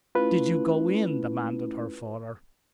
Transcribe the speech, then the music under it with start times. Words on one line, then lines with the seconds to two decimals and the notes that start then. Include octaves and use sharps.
"Did you go in?" demanded her father.
0.15 A3 C#4 E4 F4 B4